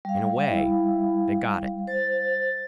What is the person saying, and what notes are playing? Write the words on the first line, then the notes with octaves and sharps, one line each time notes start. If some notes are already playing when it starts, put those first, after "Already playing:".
In a way, they got it.
G3 F5
E4
C5 A6